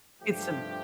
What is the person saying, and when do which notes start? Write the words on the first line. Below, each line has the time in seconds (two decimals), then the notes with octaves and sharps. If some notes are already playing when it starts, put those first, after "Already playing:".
It's m
0.20 G2 F3 A3 G4